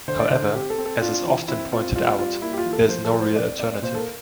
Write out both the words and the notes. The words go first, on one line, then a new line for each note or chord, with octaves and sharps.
However, as is often pointed out, there is no real alternative.
D3 C5
D5
D3 C5
C4 G4
A4
C4
A4
D4 F4
E3
C4 E4
C4 F4
G3 F4
G3 F4
A#3 E4
G4
F4
E3
A4
F3 C5
A4
F3
C5
C4 D5
C4 D5
A#2 C5
A4
A#4